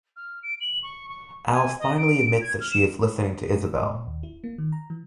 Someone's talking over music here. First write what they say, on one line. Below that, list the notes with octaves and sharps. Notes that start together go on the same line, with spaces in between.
Al finally admits that she is listening to Isabelle.
F6
D7
F#7
C#6
C#6
G#5
D#5
D7
G#6
F6
E7
G#3
E6
G#2
A#2
D#2
E4
A#3
D#3
A#5
E3